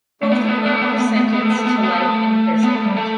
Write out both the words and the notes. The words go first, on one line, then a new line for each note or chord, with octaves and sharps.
Both of them were sentenced to life imprisonment.
A3
B3
A3
B3
A3
B3
A3
B3
A3
B3
A3
B3
A3
B3
A3
B3
A3
B3
A3
B3
A3
B3
A3
B3
A3
G3
A3